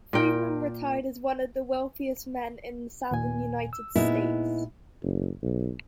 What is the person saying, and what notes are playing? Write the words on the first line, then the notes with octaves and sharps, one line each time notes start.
Freeman retired as one of the wealthiest men in the Southern United States.
A#2 A#4 G5
D#2 A#2 G#5
E6
A#2 G#3 B3 D#4 E4
F#1
B1